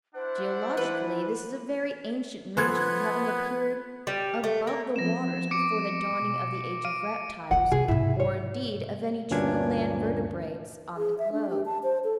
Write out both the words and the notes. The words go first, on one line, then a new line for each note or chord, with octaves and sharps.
Geologically this is a very ancient region, having appeared above the waters before the dawning of the age of reptiles, or, indeed, of any true land vertebrates on the globe.
D4 E4 C5 F#5
E3 B4
F3 B3 A4 B4 F#6 G#6
G3
A3
A#3
F3 B3 C4 A#6 E7
D6 C#7 D7
B2
F5 D7 D#7
D#3 F4 F#5
C3 G#4
G#2 C3 E4
C#5
D2 G2 A#2 C#4 D4 G#6
G#4
E5
D4
G4
A5
C5
A4